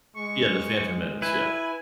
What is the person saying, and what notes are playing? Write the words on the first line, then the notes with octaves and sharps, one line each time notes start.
Yeah, The Phantom Menace, yeah.
G#3 C#6
E4 B4 G#5